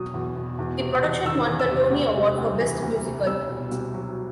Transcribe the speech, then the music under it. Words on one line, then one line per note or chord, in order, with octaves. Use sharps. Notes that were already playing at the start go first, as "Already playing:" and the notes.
The production won the Tony Award for Best Musical.
Already playing: E2 B2 F#3 D#6
E2
B2
E2
C3
E2
D#3 E6
E2
E6
C3
D2
C3
D2
E3
D2
C3
C2 E6
B2
C2
F#3